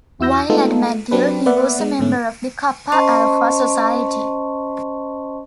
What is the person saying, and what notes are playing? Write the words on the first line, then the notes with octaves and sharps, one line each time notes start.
While at McGill he was a member of The Kappa Alpha Society.
E2 E4 F#4 E6 G6 A#6
G#3 A3 B3 D#4 F4 A4
F#3 C4 D4 G4 B4
A#3 B3 B4 D5 E5 F#5
G#3 B3
G#2 D3 A3 C#4
C#4 C5 D#5 A5 C6 C#6